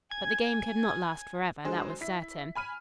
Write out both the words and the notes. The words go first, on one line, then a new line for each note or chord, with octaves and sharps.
But the game could not last forever, that was certain.
G#5 G#6
D3 F#3 G#3 G#4 C5
E4 B6
G#5 B5 F6 D#7